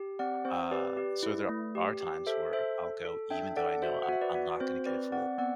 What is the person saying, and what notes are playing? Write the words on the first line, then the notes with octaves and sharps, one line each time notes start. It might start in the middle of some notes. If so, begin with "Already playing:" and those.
Uh, so, there are times where I'll go even though I know I'm I'm not gonna get a full
Already playing: G4
C4 D5 F#5
C4 C5
G4 B4 D5
G4
E4
A3
G4
G4
A4 C5 E5
A4 C5 E5
A4
A4
D4 E5 G5
A4 D5 F#5
F#4 C5 E5
F#5
F#4 E5
B4 D5
F#4
C4 C5
C4 B4 D5
C4 D5 F#5
B3 D5 F#5